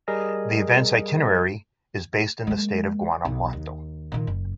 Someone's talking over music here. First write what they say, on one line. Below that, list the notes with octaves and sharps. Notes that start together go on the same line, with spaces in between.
The event's itinerary is based in the state of Guanajuato.
G3 G#4 A#4 D#5
G#3 A#3
B1
D#2
A#2 D#3
F#1